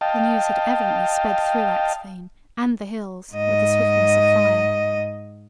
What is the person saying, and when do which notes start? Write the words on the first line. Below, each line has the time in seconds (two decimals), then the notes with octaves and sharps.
The news had evidently sped through Axphain and the hills with the swiftness of fire.
0.01 D#5 F5 G5 A5
3.32 G#2 D#5